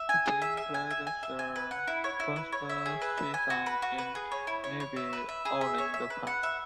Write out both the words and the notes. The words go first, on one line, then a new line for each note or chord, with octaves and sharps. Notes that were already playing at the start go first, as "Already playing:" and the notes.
The team played their first season in nearby Overland Park.
Already playing: E5
G#5
G#4
E5
E5
G#5
E5
G#5
E5
G#5
B4
F#5
E4
C#5
E4
B4
C#5
E5
G#4
B4
E5
G#5
F#4
B4
F#4
B4
G#4
C#5
E4
C#5
C#5
E5
B4
E5
G#4
E5
C#5
E5
B4
F#5
E5